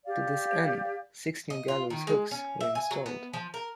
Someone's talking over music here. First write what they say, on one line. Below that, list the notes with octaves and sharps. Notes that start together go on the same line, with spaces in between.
To this end, six new gallows hooks were installed.
G4 D5 F5
D#5
F4
D#3
G#3
C#4
E5
G#5
F#3
B3
F3
A#4